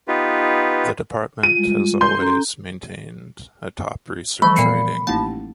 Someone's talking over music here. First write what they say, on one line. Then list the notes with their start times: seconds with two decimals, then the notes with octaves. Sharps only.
The department has always maintained a top research rating.
0.08 B3 D#4 F4 G4 B4
1.43 F4 D#7
1.57 G3 G#3 F4
2.01 C6 G6
2.19 C#4 A4 A#5
4.42 E3 F3 G3 A3 B5
4.57 A#2 B3 C7 C#7
5.07 A1 A#3 D#4 A5